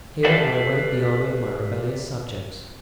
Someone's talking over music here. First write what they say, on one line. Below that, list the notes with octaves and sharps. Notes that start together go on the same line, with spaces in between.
Here I await the army of my rebellious subjects.
G4 A4 B4 D5 E5 F5